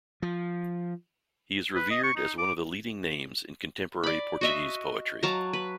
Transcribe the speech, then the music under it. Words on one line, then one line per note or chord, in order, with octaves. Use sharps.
He is revered as one of the leading names in contemporary Portuguese poetry.
F3
B4
D#5
C#6
D#4
D6
D5 B5
F#4 D#5 E5
F#3 F5 A5 A#5
B4